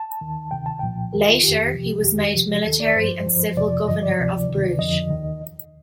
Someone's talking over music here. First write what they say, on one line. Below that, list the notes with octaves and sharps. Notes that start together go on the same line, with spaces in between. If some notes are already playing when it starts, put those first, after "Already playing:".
Later, he was made military and civil governor of Bruges.
Already playing: A5
D#2 D#3
D2 C3 D#3 G5
A5
C2 A#2 F3 G5
D#2 D#3 A#4
F4
F2 D#3 G4
C2 C3 F3
F2 D#3 G4
C2 C3 F3
D#2 D#3 A4
D5
G2 F3 C5
G2 F3
F2 C3 F3 D5
G2 D3 F3 D#5
D5
D2 C3 F3
D2 C3 D#3
F2 D3 F3 D#5
D#2 D#3